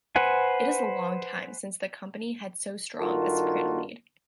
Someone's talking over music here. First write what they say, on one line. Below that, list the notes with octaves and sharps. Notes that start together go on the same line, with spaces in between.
It is a long time since the company had so strong a soprano lead.
B4 C5 F#5 G#5
G2 D#3 F4 F#4 A4 A#4